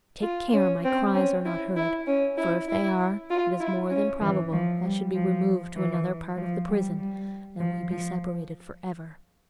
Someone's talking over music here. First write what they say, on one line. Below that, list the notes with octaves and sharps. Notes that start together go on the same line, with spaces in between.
Take care my cries are not heard, for if they are it is more than probable I should be removed to another part of the prison, and we be separated forever.
F4
C#4
C4
C#4
E4
E4
C#4
E4
E4
F4
E4
C#4
E3
F3
G3
F3
E3
F3
G3
G3
F3
F3